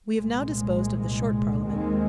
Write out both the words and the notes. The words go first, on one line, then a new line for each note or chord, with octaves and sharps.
We have now disposed of the Short Parliament.
C2 A#2 G#3
D#2 D#3 G#3 C4